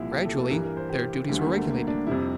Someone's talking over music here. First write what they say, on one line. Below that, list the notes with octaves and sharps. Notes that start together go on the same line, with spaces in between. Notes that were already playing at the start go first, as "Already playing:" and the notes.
"GRADUALLY their duties were regulated."
Already playing: C2 A#2 F3 E4
G4
A4
A4
G2 E3 G3 A#4
A#4
C5
G4
D2 D3 G3 A3
A#3
A3
A#3
D4
F2 C3 G3 E4